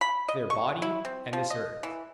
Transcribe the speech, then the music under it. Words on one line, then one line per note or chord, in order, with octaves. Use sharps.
To their body and this earth.
B5
D#5
C#6
E4
C4
F3
D#5
E3